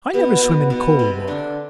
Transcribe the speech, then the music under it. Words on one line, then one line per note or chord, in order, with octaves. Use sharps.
"I never swim in cold water."
B2 B3
B2 B3
B2 B3
C3 C4
D3 D4